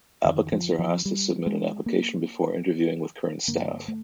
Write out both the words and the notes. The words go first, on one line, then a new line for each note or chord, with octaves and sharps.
Applicants are asked to submit an application before interviewing with current staff.
F2 D3 D#3
F3
F3
G3
G#3
A#3
G2 D3 A#3
A3